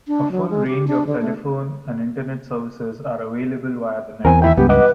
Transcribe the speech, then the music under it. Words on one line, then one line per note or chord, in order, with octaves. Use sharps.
A full range of telephone and Internet services are available via the network.
D4
F#3
G#3
G4
D4
D3
A3
E2 E3 C4 A#4 G#5
D#2 E4 E5 G5
C#2 G2 B3 G4
B4 D#5 F#5 D6